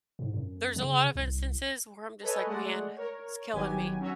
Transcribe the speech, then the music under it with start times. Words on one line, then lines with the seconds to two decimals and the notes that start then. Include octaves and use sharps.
There's a lot of instances where I'm just, like, "Man, it's killing me,"
0.19 G#2
0.34 F#2
0.76 C#3
1.15 C2
2.22 A4 B4 C#5 D#5 G#5
2.45 G#3 A3 D5 F#5
2.96 A#4 C#5
3.53 G1 D#3 F#3 B3 G4 G#5
4.00 F#3 C#4 F#4 C#5 E5